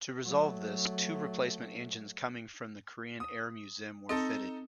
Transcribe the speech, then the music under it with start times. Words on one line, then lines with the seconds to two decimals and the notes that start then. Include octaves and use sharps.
To resolve this, two replacement engines coming from the Korean Air museum were fitted.
0.24 F#3 A3
3.20 D#6
4.09 C4 D#4 A4 D#5